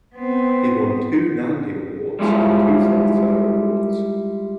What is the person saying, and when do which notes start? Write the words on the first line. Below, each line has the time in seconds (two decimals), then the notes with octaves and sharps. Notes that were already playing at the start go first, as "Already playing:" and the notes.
He won two Nandi Awards and two Filmfare Awards.
0.16 B3 C4
2.19 G3 G#3 E4 F4